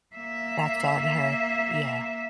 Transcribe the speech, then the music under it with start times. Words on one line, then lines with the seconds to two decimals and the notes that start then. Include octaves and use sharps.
That's on her, yeah.
0.16 A#3 E5